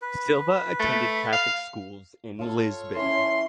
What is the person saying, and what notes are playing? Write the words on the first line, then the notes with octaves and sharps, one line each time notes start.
Silva attended Catholic schools in Lisbon.
B4
A3
F5
F4 A4 C#5
E3 C#4 C6